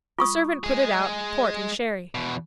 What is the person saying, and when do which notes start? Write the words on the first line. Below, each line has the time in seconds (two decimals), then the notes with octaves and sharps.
The servant put it out, port and sherry.
0.19 F4 C#6 D#6
0.64 G#3 G#4
2.15 E2 B2